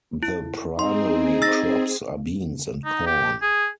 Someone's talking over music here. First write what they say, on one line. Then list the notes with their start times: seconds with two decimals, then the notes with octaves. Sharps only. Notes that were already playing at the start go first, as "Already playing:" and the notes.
The primary crops are beans and corn.
0.23 E4
0.79 C4 D#4 G#4 C6
1.42 E6 A6 A#6
2.85 D#4
3.07 G4
3.42 G#4